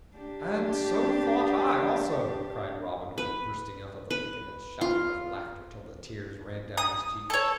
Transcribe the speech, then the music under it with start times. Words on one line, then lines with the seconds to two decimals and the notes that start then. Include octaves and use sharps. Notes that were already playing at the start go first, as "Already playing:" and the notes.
"And so thought I, also," cried Robin Hood, bursting out of the thicket and shouting with laughter till the tears ran down his cheeks.
0.17 D4 G4
3.18 B4
4.10 B4
4.81 F4
6.78 D#6
7.30 A4 C#5